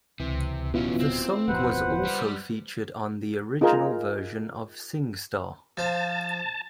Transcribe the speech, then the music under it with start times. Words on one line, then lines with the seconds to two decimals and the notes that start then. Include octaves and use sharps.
The song was also featured on the original version of "Singstar".
0.20 C#2 C3 E3
0.74 D1 E2 B2 B3 C#4 E4 F4
0.99 C4
1.48 D1 F2 B2 B4 C5 F#5
2.05 G3
3.61 D#4 F4 G#4 A#4
5.77 F3 C5 A5